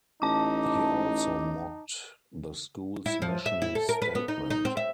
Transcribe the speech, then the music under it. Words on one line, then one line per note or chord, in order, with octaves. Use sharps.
He also mocked the school's mission statement.
A1 D#4 A5 D6
E4
F3
E5
E4
A4
A#4
B4
B3
D#4
D#4
C4
E5